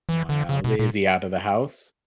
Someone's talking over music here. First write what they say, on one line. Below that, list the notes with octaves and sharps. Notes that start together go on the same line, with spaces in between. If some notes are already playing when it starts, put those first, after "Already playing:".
Wow, they is he outta house?
E3
D3
C#3
B2
A#2